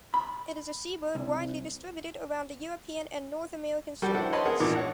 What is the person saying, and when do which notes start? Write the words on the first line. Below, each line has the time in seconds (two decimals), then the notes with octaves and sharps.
It is a seabird widely distributed around the European and North American shores.
0.14 B5
1.15 C2
4.02 G3 F#4 G4 A4
4.15 D4 E4 A4 C5 F#5
4.32 B4 C#5 D#5 A5 B5 C6
4.45 B3 G#4 A#4 F#5
4.60 G#1 A#2 D#3 E3 D4 D6
4.75 C#5 F#5